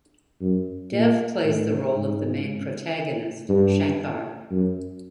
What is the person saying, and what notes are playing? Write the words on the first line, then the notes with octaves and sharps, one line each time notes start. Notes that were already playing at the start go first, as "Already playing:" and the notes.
Dev plays the role of the main protagonist, Shankar.
F#2
A#2
A2
G#2
G2
F#2